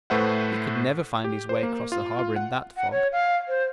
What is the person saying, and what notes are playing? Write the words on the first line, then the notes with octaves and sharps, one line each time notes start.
"He could never find his way cross the harbour in that fog."
A2 A3 B4 C5 E5 F#5
G4
C5
A#3
F4
F4
F#5
F#5
C#5
F5
C5